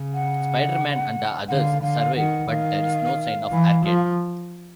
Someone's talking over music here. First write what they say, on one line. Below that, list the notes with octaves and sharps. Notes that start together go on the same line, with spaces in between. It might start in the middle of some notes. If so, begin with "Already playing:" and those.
Spider-Man and the others survive but there is no sign of Arcade.
Already playing: C#3
F#5
D3 F5 F#5
D3 F5
D#3 F#5
D#3 F5
E3
F3